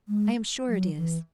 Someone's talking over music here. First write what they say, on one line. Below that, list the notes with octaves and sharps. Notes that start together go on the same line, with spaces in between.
"I am sure it is."
G#3
F#3
E3